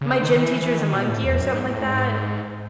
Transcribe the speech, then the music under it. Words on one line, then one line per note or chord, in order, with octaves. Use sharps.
My Gym Teacher is a Monkey or something like that?
C#3
D#3
E3
E3
D#3
B2
A2
E2
F#2
G#2
A2
G#2